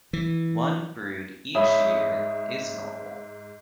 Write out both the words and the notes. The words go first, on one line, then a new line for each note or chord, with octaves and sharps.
One brood each year is normal.
E3
G#2 C#5 E5 B5 D#6